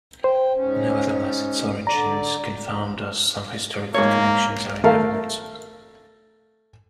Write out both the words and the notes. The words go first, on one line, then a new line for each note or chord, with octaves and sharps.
Nevertheless, if origins confound us, some historical connections are in evidence.
C5 G5
G#2 C#4
D3 D5 A#5
G#2 A#3 C#5
A3 A#4 F5